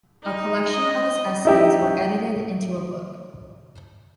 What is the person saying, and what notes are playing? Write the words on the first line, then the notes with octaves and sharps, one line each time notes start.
A collection of his essays were edited into a book.
D#4
D#5
D#4 E4 G4